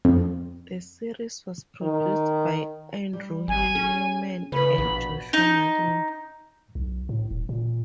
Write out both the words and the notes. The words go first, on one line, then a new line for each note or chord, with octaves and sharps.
The series was produced by Andrew Hill Newman and Joshua Malina.
F2
D#3
G3
G#1 G#5
C#4 G#4
C#3 B4 C5 B5
A#1 B2
D#4
B1
A2
D#1
A#2